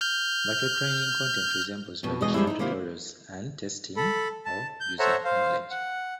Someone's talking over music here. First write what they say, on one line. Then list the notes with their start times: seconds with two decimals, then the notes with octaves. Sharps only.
Virtual training content resembles traditional tutorials and testing of user knowledge.
0.01 F6 G6
2.03 F2 B2
2.21 E2 B2 G#3 D#5
2.34 F2 G#2 G3 G#3 C4 E4
2.47 D#4 E4
2.59 C3 D#3 A#3 E4 F4
3.97 A4 B5
4.45 A5
4.80 G6
4.99 A4 C5 C#5 E5 F#5 A#5
5.24 C5 F5
5.70 F#5